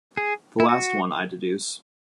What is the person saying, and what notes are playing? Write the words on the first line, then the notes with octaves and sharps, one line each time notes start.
The last one, I deduce.
G#4
E4
F#4